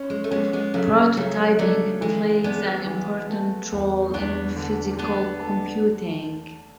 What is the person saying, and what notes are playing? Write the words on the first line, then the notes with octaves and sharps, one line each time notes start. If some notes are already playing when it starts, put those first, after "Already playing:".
Prototyping plays an important role in Physical Computing.
Already playing: C#4
G#3
A3
G#3 B3 C#4
G#3 B3
C#3 F#3 A3
C#3 F#3 A3
F#3 A3 D4
E3 G#3
G#3 B3 D4
E3
A3
E2
E2 B3 D4
D3
A3 B3 D4
A4